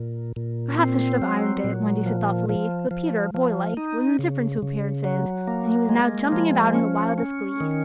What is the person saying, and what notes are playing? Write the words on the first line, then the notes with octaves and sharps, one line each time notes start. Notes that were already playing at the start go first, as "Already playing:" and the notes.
"Perhaps I should have ironed it," Wendy said thoughtfully, but Peter, boylike, was indifferent to appearances, and he was now jumping about in the wildest glee.
Already playing: A#2
A#2
C4
F#3
A#2
F3
F3
F3
F3
D#4
C#3
C#3
F#3
A#3
G#3
F3
C#4
C#4
D#3